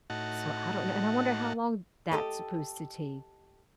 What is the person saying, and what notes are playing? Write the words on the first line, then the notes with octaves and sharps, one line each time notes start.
So I don't know and I wonder how long that's supposed to take.
A2 D#4 F#4 F#5 A5
G4 A4 D#5